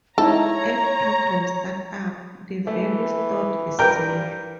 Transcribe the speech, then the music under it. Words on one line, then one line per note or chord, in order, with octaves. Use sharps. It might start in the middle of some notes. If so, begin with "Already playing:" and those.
At program startup, the value stored is zero.
G#3 D#4 E4 A4 C#5 A#5
E3 A3
G2 G4 A#4 B4 G5 G6